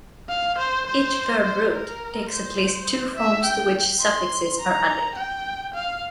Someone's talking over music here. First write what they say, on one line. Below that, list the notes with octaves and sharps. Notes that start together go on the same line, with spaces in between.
Each verb root takes at least two forms to which suffixes are added.
F5
C5
C5
C5
A#4
C5
E5
G5
C6
A#5
G5
F5